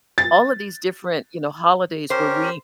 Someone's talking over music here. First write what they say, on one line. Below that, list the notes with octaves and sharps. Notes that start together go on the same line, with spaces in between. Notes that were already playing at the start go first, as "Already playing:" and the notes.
all of these different, you know, holidays where we
A6
C#4 G4 A#4 C5